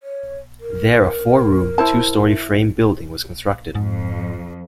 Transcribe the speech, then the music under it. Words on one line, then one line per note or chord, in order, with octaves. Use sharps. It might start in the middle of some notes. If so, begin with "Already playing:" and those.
There a four-room, two-story frame building was constructed.
C#5
A#4
E4 C5 A5
F2 G#2